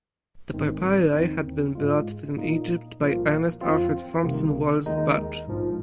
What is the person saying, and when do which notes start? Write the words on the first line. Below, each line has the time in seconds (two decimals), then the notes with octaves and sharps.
The papyri had been brought from Egypt by Ernest Alfred Thompson Wallis Budge.
0.52 G#1 G#2 D#3 C4
1.14 D#2 D#3 C4 D#4
1.75 G#2 G#3 F4
2.37 A#2 A#3 D#4
2.99 C2 A#2 F3 A#3 F4
3.61 F2 F3 C4 F4
4.23 C2 C3 D#3 A#3
4.86 D#2 D#3 G#3 D#4
5.47 A#1 G#2 F3